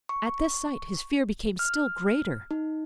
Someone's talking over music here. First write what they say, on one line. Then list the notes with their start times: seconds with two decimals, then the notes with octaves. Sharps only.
At this sight his fear became still greater.
0.09 C#6
1.59 F6
2.51 D#4